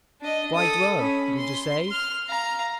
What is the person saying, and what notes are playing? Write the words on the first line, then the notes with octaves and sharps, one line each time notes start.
Quite well, did you say?
D4 D#5
A4 D#6
C#4 B5
C6
C6 F6
F5 A#5